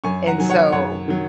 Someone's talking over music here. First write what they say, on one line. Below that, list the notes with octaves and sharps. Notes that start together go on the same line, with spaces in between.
And so
F#2 G#5 C#6
F#5 A#5
D#3 F#3 G#5
C#5 F#5
F#2 C#5 F#5
D#3 F#3